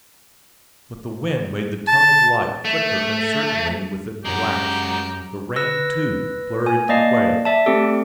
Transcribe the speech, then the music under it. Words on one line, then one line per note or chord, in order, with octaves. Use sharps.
But the wind made the tongue of light flicker uncertainly within the glass; the rain, too, blurred the quay.
A5
A3
F#2 G#3 F#4 G4 A#5
B4 E6 A#6
G#5
A#3 D5 D#5 A5 C7
D5 E5 A5
A3 C4 G4 A4